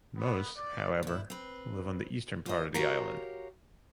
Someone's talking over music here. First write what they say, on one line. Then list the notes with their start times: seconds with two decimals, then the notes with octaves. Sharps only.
Most, however, live on the eastern part of the island.
0.17 B3
0.56 D5
1.03 A#2 E4
1.30 C4 B4
2.46 F4 C5 D#5
2.74 F#4 G4 A#4 C#5 F5 A#5